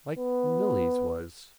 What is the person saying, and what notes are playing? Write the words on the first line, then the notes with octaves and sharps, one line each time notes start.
Like Milly's was.
B3